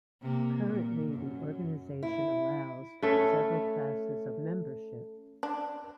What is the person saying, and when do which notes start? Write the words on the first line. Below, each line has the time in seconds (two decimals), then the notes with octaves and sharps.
Currently the organization allows several classes of membership.
0.22 C3 A#3
0.67 A#2
1.13 F#2
2.03 E4
3.03 A3 C#4 A4 B4
5.43 D4